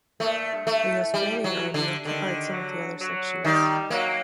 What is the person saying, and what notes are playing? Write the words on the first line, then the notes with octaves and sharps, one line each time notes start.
The Australian army occupied some of the other sections.
A#2 A3
G2
A3
A2
G3
F#3
D3
D3 D#3
F#3
F#3
D#3 G3
F#3 A#3